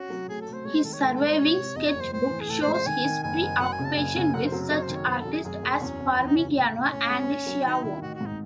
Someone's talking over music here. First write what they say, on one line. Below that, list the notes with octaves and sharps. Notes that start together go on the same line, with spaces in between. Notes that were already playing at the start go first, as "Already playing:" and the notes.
His surviving sketchbook shows his preoccupation with such artists as Parmigianino and Schiavone.
Already playing: C#4 F#4
F#3
A3 G#4
A4
A3
C5
G#3 C#5
C5
D#3 A4
C#5
G#2 A4
A4
G#2
C5
C3 C#5
C3
E2 D#5
C#5
F#1
C5
A2 C5
E3
G#4
A2 A4
C5
G#3
C5
D#3 G#5
D#3
F#1 G#5
F#1
F#2 F#5
G#5
C#3
A5
F#1 G#5
C#3
F#2 F#5
C5
F#3
F#3 C#5
C5
D#3
C#5
F#2 C5
F#2 A4
G#4
F#2 G#4
F#2
E2 C#4
E2
E3 C4
D#4
C#3 C#4
A2
A2
D#4
A2 C#4
G#3
D#2
F#3
D#3 D#4
D#3 E4
A1 F#4
F#4
G#2
D#4